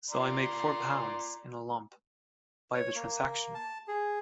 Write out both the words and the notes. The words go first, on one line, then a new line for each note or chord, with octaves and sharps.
So I make four pounds — in a lump — by the transaction!
D5 A#5 C6
C#5
A#3
A5
G#4